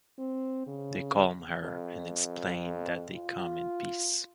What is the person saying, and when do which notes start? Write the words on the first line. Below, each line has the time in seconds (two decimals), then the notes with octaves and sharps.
They calm her and explain that they come in peace.
0.18 C4
0.67 C#3
1.62 F2
3.15 F4